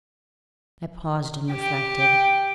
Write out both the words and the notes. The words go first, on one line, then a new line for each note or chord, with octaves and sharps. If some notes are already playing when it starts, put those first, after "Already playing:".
I paused and reflected.
G4 G5